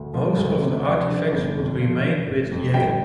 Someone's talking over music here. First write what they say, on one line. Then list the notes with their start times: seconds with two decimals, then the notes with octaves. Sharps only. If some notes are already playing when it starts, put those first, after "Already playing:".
Most of the artifacts would remain with Yale.
Already playing: D2
0.14 F3
0.37 D2
0.62 C3
0.85 F3 D5
1.09 D3
1.32 G1
1.56 F2
1.80 F3
2.03 D3
2.27 F1
2.51 F2
2.74 G1 G5